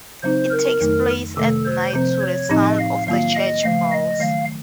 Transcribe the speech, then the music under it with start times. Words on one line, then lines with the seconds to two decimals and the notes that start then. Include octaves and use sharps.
It takes place at night to the sound of the church bells.
0.23 C#3 F#3 C4 D#4 C5
0.51 A#4
0.80 F2 D#3 F#3 A3 D#4
1.37 C3 D#3 A3 A4
1.65 C5
1.93 C3 F3 C4 C5
2.21 C#5
2.49 A2 F3 C4 D#4 D#5
2.79 F5
3.07 D#3 F#3 A#3 F4 F5
3.35 D#5
3.63 C#3 F3 A3 F5
3.92 D#5
4.20 D#3 F#3 A3 F5